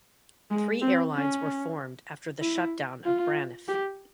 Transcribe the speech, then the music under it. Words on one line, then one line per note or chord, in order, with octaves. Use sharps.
Three airlines were formed after the shutdown of Braniff.
G#3
C4
C#4
E4
F4
G4